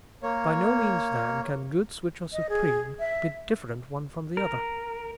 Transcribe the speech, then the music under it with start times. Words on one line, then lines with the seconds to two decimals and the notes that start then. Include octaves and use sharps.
By no means, then, can goods which are supreme be different one from the other.
0.23 A#3 C#5
2.33 D#5
2.49 G#4
2.99 E5
4.37 A#4